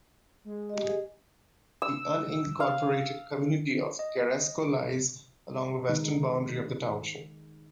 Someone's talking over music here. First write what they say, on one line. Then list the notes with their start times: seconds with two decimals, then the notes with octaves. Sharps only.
The unincorporated community of Ceresco lies along the western boundary of the township.
0.44 G#3
0.69 G4 D#5
0.83 G#4
1.82 E6
2.60 F5
3.99 D#5
5.89 D#3 G#3 D#4